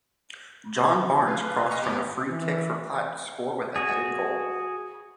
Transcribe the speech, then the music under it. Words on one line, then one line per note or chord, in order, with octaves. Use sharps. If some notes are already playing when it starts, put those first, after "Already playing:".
John Barnes crossed from a free-kick for Platt to score with a headed goal.
B4 F5
D#5 C#6 F6
G1 B3 G4
E3
F#4 G#4